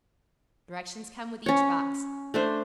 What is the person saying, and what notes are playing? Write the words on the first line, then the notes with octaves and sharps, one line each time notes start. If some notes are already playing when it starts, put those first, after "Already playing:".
Directions come with each box.
C#4 C#5
A3 D4 C5